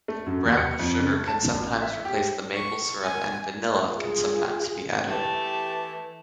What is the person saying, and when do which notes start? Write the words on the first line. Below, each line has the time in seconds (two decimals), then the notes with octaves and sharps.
Brown sugar can sometimes replace the maple syrup and vanilla can sometimes be added.
0.08 A3
0.26 F#2
0.45 D#2
0.57 C#7
0.79 F2
1.00 C#3
1.12 A3
1.28 A5
1.55 A1
1.82 E5
2.05 G4
2.54 C#6
3.04 G#5
3.92 F4 G#4
5.08 E3 A3 G4 G5 A5